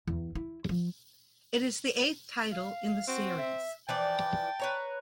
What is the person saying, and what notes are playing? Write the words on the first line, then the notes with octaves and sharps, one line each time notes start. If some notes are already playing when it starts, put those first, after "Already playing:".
It is the eighth title in the series.
E2
E4
F3
F5
C4 F#4
E5
E3 F3 D5 G5 A5
B4 C#5 A#5